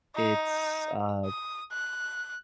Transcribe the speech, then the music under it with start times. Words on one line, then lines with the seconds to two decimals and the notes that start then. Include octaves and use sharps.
it's, uh
0.15 D#4
1.25 D#6
1.72 F#6